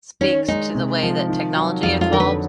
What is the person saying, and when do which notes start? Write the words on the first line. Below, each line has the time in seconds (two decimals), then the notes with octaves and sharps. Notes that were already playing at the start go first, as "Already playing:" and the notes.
speaks to the way that technology involved,
0.21 D#3 C#4
0.48 G#3 D#4
0.75 C3
1.02 F3
1.29 D#3
1.56 F#3
1.83 F2 F4
2.01 F4
2.10 D3 A#4
2.20 B4